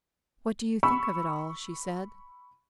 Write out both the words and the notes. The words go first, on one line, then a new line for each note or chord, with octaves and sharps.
"What do you think of it all?" she said.
B5 C#6 E6